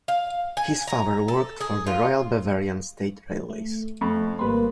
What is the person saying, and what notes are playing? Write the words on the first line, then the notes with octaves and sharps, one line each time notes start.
His father worked for the Royal Bavarian State Railways.
F5
G#5
A#5
A4
G#4
F4
A3
F2 A3 B5 C#6
G#1 G3 A#3 C4 B4 C6